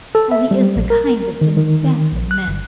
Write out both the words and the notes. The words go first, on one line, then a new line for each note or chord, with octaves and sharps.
Oh, he is the kindest and best of men!
A4
E5
G3
A#1
A#4
D#3
D#3
A#1
F#6
G1